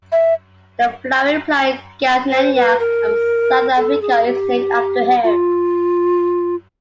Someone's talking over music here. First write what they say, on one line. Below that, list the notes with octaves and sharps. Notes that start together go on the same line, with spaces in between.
The flowering plant Gazania, of southern Africa, is named after him.
E5
C5
B4
A#4
A4
G#4
G4
F4